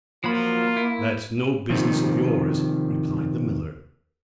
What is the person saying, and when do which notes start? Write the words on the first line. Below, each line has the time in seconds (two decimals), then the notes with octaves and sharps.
"That's no business of yours," replied the miller.
0.24 F3 F#3 A#3 F4 B5
0.77 E4
1.70 C3 D#3 F3